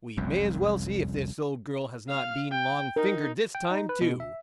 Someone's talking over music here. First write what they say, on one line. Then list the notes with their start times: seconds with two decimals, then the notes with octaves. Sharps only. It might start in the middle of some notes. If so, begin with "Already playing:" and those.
'We may as well see if this old girl has not been long-fingered this time too.'
0.17 F1 C2 F#2
2.09 F5 F6
2.51 G5
2.96 D#4 A#4
3.55 G5
3.71 D#4
3.89 B4
4.01 B2
4.20 E5